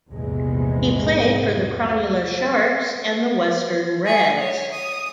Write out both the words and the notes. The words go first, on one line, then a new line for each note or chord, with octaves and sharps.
He played for the Cronulla Sharks and the Western Reds.
A#1 E2 G#2 C3 G#3
G#4
C#5
D#6